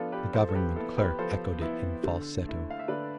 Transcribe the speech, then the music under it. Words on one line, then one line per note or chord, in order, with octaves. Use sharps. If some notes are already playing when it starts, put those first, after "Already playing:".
The government clerk echoed it in falsetto.
Already playing: F3 B3 D4 F4 A4
G4 B4
F3 A4 C5
A4
G4 B4
B3 E4 A4
G4 B4
F3 A4 C5
B3 E4
D3
A3 E4
F5
E5
D3 B4 D5